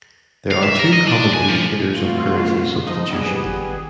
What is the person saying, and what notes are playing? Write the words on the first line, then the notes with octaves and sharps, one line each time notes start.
There are two common indicators of currency substitution.
F5
E5
A#4
D#5
D4
G#5
F3
G2 B2 A3 C4 F4 F#4
F3 D#4 D#5
G3 B3 G#4
G#1